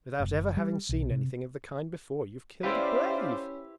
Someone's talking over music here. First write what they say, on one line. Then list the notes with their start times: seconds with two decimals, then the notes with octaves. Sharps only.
Without ever having seen anything of the kind before, you've killed a brave!'
0.20 F#1
0.57 G3
0.89 B1
1.10 C3
2.63 C#4 E4 G4 B4 C5 D5 E5 F5